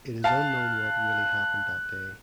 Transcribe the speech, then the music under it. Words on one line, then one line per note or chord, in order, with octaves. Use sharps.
It is unknown what really happened that day.
F5 A5 F#6